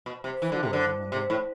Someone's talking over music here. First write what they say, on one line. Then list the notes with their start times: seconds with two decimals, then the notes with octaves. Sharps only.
What for, I wonder?
0.06 B2
0.24 C3
0.42 E3
0.52 D3
0.63 C3
0.73 D3
1.12 C3
1.30 A2